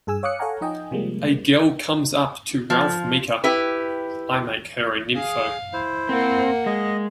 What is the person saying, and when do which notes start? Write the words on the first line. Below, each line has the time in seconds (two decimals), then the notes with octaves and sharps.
A girl comes up to Ralph Meeker, I make her a nympho.
0.07 G2 G#4 G#5 E6
0.23 C#5 F5 D6 D#6 F#6 C#7
0.39 A4 C#5 F5 F#5 G#5 A#5
0.61 F3 D#4 D#5 G5 G#5
0.91 C3 F3 G3 G#3 A#3
2.70 F3
3.44 E4 G4 B4
5.15 G#4 F5 D#6
5.73 E4 C5
6.09 A#3 C4 F#5
6.66 G#3 D#5